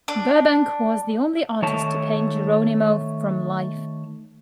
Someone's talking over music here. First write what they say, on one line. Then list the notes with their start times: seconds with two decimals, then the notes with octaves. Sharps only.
Burbank was the only artist to paint Geronimo from life.
0.08 D4
1.62 D#3 A3 C#5 A5